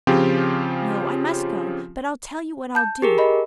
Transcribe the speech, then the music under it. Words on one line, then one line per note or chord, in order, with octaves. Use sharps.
No, I must go, but I'll tell you what I'll do.
C#3 F3 C4 C#4 F4 G4
A5 G6
G4 G#4 A#4
D#5 B5